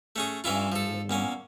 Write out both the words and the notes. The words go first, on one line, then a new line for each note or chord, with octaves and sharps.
um, when
A3 C#4 G#4
E3 C#4 E4 F4
F3 A4
E2 A#3 C#4